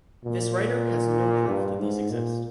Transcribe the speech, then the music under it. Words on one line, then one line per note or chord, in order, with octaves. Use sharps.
This writer has no proof that these exist.
A#2
G2
G#2
A#2